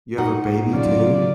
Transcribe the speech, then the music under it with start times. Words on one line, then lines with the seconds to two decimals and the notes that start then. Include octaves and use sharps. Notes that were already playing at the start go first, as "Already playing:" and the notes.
You have a baby too?
0.18 D#4 F#4 F#5
0.73 C#3 F#3 C#4 F4 D5